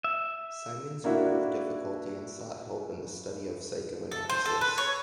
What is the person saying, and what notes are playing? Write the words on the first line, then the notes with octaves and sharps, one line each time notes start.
Symons wrote with difficulty and sought help in the study of psychoanalysis.
E5
A#3 D4 E4 F#4
A4
C5
A4
B4
C#5